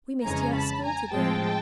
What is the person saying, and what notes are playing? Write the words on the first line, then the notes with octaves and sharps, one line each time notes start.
"We missed you at school to-day."
F2 C#3 E3 G#3 C#4 G#5 A#5
A5 B5
G#5 A#5
A2 F3 G#3 C4 G5 A5